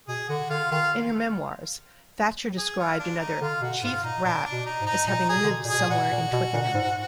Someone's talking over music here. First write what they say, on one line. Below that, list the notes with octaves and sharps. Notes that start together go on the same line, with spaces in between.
In her memoirs, Thatcher described another "Chief Rat" as having lived somewhere in Twickenham.
B2 G#4
D3 F#4
D3 F4
D#3 F4
G#4
F4
D4
D#4
D3 F4
B2 F#4
G#2 F4
A#2 D#4
A#2 D4
D4
B2
D#4
G#2
D#4
A#2 D#4
G#4
B2
D3
B2
A#2
B2 G#4
A#2
A#2 F#4
A#2
B2
A#2
G#2